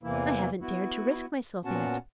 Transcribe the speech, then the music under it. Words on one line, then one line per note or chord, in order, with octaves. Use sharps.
I haven't dared to risk myself in it.
E2 C3 E3 A#3 E4
B3 E4 F#4
A#2 B3 C#4 F#4 F#5 A5